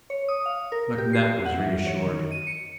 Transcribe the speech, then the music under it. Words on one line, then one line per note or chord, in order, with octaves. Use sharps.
McNutt was reassured.
C#5
D#6
F5
A#4
G4
C7
F#5
E3
C#5
D#3
D#7
C#7